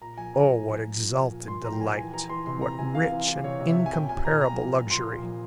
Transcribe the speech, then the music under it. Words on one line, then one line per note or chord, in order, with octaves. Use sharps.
Oh! what exalted delight--what rich and incomparable luxury!
A#2 A#5
F3 G#5
A#2 A#5
F3
F3
A#2
F3
F3
A#2
A#2 C6
A#2 A#5
G5
F3 G#5
E3 G#5
E3 A#5
E3 C6
C3 C6
C3 A#5
C3 G#5
E3 F5
E3
E3
C3 C#5
C3
E5
C3
G#5
A#2 G5
A#2 G#5
A#2 A#5
A#2 A#5
F3
A#2
F3 C6
A#2
F3